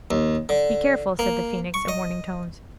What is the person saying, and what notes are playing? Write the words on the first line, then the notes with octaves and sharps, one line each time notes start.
Be careful,' said the Phoenix, in warning tones.
D#2
D3
A#3
C#6
D#5